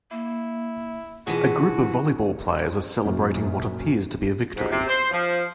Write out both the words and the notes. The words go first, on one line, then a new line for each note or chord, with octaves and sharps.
A group of volleyball players are celebrating what appears to be a victory.
A#3 E4
B2 E3 F4 F#4 G#4
F#2 A#2
G#2
C3
C5
F3